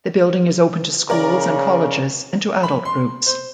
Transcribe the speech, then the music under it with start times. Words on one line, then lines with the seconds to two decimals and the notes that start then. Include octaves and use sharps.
The building is open to schools and colleges and to adult groups.
1.10 C#3 A#4 D5
2.63 B5
2.85 C6
3.26 C5